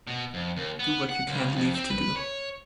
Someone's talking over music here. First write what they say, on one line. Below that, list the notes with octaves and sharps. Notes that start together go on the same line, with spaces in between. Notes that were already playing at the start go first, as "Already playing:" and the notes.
Do what you can’t leave to do.
B2
F2
D#2
B3
F#5
C#2
F2
C4
B4
C#5